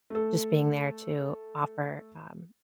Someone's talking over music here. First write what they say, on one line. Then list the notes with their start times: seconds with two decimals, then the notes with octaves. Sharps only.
just being there to offer, um,
0.10 A3 A4